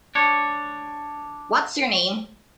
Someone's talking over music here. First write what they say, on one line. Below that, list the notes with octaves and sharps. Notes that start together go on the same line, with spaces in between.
What's your name?
D4 C#5